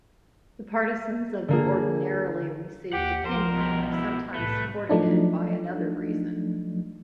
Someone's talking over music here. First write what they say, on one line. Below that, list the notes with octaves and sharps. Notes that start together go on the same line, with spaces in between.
The partisans of the ordinarily received opinion have sometimes supported it by another reason.
D3 A#3 G#4
D#2 G4 F#5
C2 F3 A#4 C5
B2 G4
E4
C2 A2 C3 A3 B4
F3 F#3 A3 D4 D#4